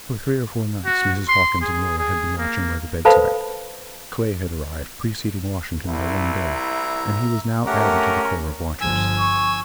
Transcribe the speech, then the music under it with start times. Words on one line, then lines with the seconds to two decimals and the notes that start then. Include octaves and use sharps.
For three or four nights Mrs. Hawkins and Laura had been watching by the bedside; Clay had arrived, preceding Washington by one day, and he was now added to the corps of watchers.
0.85 F#4
1.28 C6
1.62 G#4
1.99 G#4
2.38 A#3
3.05 A4 B4 C5 F5 A5 B5
5.86 C2 E4
6.56 E5 A#5
7.67 A3 C#4 G4 A#4 F#5
8.81 G1 F3 G#5 E6
9.19 C#6